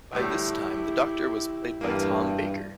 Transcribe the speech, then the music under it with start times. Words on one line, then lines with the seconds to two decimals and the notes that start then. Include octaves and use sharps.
By this time the Doctor was played by Tom Baker.
0.13 D2 A2 G3 E4 G4
1.81 E2 G2 A#3